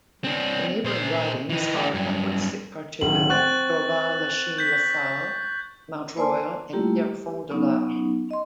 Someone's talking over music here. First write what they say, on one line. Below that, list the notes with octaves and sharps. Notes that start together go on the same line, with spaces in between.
The neighbouring ridings are Ahuntsic-Cartierville, Dorval-Lachine-LaSalle, Mount Royal and Pierrefonds-Dollard.
C4 D4
A#2 C5
E3 D#4
A3 G4
G2 F#3
D1 D#3 F#7
C4 F#5 C#6 F#6 A6
G6 B6
A#3 C5 D5 G#5 A5 C6
G3 A3 A#3 E4 F4 G4
G4
F#3 B3 C#4 D#4
D#5 C6